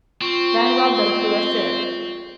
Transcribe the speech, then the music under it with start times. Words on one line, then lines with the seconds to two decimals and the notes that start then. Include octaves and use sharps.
Then rub them through a sieve.
0.21 C4 F4 C#6